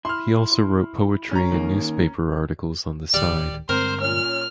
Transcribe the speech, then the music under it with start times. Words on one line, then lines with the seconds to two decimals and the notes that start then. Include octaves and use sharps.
He also wrote poetry and newspaper articles on the side.
0.05 E4 C6 F6
1.31 C#4 A#5
1.52 D#3 A#3
3.14 D1 D#3 G3 D5
3.69 G2 D3 G#3 C4 A#4 C5
4.01 A#2 C#4 F6